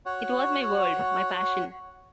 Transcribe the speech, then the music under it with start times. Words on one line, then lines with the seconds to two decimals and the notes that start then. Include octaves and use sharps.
It was my world, my passion.
0.06 F#4 C#5 F#5